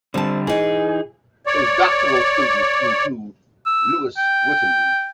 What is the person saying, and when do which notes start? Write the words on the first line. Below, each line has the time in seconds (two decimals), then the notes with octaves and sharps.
His doctoral students include Louis Witten.
0.14 D3 G3 C4 A5
0.47 E3 D#4 G#4
1.46 C#5 D5
3.66 E6
4.18 G5